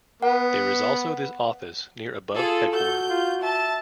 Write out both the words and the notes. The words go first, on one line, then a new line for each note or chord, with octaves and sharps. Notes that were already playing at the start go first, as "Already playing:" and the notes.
There is also this office near above headquarter.
B3 F#5
F4 G#4 A4
F#4 A4 G6
F4
E5 A5